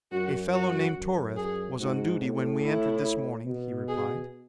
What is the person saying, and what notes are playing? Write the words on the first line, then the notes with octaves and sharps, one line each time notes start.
"A fellow named Torith was on duty when we entered this morning," he replied.
F#2 F#4
F#4
F#2
G#4
G#2 F#4
A2
E4
B2
G#4